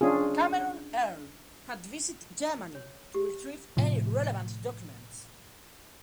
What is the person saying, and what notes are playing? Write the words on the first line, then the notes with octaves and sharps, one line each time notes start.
Cameron Earl had visited Germany to retrieve any relevant documents.
C#4 D4 F4 G#4
C#5
G4
A2 C3 F3